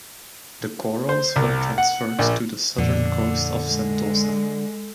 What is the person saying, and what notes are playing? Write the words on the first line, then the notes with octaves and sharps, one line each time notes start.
The corals were transferred to the southern coast of Sentosa.
C5
C2
F#5
A#1
F2 A#2 D3
G#3